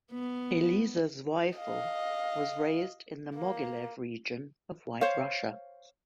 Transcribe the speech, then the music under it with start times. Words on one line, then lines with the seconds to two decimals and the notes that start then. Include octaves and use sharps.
Eliezer Zweifel was raised in the Mogilev region of White Russia.
0.12 B3
1.57 D#5 F5
3.35 A#3
5.01 C5 C#5 F5